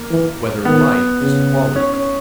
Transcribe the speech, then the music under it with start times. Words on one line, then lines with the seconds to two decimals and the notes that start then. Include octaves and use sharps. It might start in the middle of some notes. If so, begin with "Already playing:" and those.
Whether Light Is a Quality?
Already playing: A#3
0.11 E3
0.65 D#3 B3
1.21 C#3
1.76 C#4
1.93 C#4